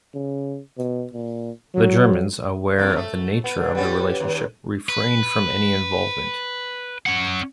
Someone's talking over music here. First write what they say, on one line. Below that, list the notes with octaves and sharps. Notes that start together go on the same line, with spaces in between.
The Germans, aware of the nature of the relationship, refrained from any involvement.
C#3
B2
A#2
F#3
F2 A#3
A3
B3
A#2 D3
G3 B3 C#4
D#2
B4
C#4 F#5